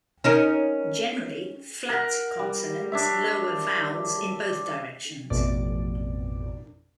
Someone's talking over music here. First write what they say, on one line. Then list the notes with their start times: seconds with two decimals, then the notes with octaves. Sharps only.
Generally, "flat" consonants lower vowels in both directions.
0.24 C#4 D#4 A#4
1.90 A#4 F#5
2.39 G3
2.92 D4 C#5 E5
5.30 A1 F2 B2 D5